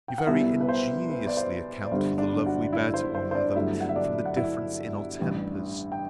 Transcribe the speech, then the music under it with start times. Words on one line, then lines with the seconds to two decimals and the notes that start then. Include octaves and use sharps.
You very ingeniously account for the love we bear to one another, from the difference in our tempers.
0.08 G5
0.18 F#5
0.27 C2 B2 G3 B3 E4 E5
0.61 B4
0.69 C5
1.10 B4
1.27 D5
1.37 C5
1.85 D5
1.91 G1 G2 D3 G3 C5
2.18 D4 D5
2.46 F#4 F#5
2.73 E4 E5
2.94 C5
3.15 C5
3.31 C5
3.35 D4 D5
3.55 G1 G2 D3 F#3 A3 E4 E5
3.80 F#5
3.89 E5
3.96 D4 D5
4.26 F#5
4.37 E4 E5
5.19 A1 G2 E3 G3
5.92 G5